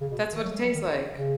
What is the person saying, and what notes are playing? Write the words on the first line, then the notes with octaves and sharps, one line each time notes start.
That's what it tastes like.
C#3
B2
D#3
F#3
G#3
F#3
D#3
C#3